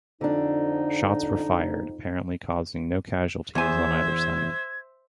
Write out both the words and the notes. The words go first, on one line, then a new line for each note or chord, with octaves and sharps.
Shots were fired, apparently causing no casualties on either side.
F2 D3 D4 D#4
E2 C5 E5 G#5 G#6